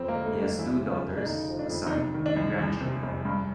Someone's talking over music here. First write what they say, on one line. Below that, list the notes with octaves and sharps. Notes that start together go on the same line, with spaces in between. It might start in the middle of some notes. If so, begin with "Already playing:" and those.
He has two daughters, a son, and grandchildren.
Already playing: F2 C4
A#3
D3
A3
G1
D4
E2 E4
C#3
F4
F1
D4
D3 D#4
F3
D4
F2
D#4
C3 D4
D#3
D4
C2
E2
C3
F1
G2